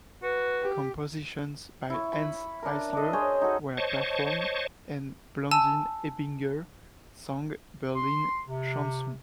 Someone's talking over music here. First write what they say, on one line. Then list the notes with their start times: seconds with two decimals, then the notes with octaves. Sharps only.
Compositions by Hanns Eisler were performed, and Blandine Ebinger sang Berlin chansons.
0.23 F#4 B4
0.62 G4
1.90 E4 C#6
2.13 B5
2.63 D4 A#4
2.93 D4 D#5
3.13 G#4 C5 C#5
3.41 D#4 F#4 A4
3.77 C5 C#5 D#5 A5 C#6
5.51 G#5 A5 E6
7.96 C6
8.48 C3